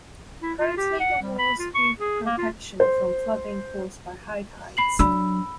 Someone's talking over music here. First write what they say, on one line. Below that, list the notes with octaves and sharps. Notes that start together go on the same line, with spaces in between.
Currently the walls give protection from flooding caused by high tides.
E4
F4
G4
F#5
G3
B5
F4
C#6
G#4
A#3
F4
C5
B5 C7 F#7
F#3 D4 B5 E6